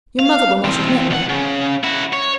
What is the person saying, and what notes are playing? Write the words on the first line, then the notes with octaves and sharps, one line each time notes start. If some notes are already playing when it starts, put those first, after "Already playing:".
"Your mother will not admit me."
F5
E3 C4
C2 F#5
C#3
E4 F#4
C#5